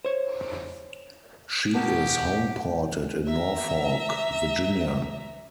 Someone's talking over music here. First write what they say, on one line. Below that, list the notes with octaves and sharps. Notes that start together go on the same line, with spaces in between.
She is homeported in Norfolk, Virginia.
C5 C#5
B2 G4 A#4 F#5 A5
E5 A#5